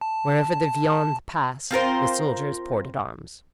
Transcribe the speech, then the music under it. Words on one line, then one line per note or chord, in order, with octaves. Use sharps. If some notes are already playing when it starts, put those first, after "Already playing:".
Wherever the viande passed, the soldiers ported arms.
A5
C4 F4 A#4 C5